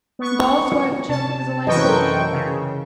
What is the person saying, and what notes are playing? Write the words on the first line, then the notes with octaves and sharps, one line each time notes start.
Ball's wife Jill is a librarian.
B3 C#6
C3 A5
F#2 E3 B4 D#5 G5 C#6
A4 A#4 C5
C#3